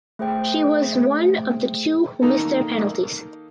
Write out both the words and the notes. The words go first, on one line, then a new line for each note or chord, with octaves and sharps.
She was one of the two who missed their penalties.
A3 G#4 C5 G5
D#3 A#3 D#4 A4